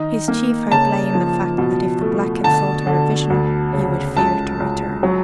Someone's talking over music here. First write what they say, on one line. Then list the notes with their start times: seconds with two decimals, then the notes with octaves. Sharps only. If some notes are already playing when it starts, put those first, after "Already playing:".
His chief hope lay in the fact that if the Black had thought her a vision, he would fear to return.
Already playing: D#3 D#4
0.28 A#3
0.72 C#3 A5
1.15 F3
1.58 B2
2.01 A3
2.44 D3 A5
2.87 D3
3.30 D2
3.73 C#3
4.17 C#2 A5
4.60 C#2
5.03 F#3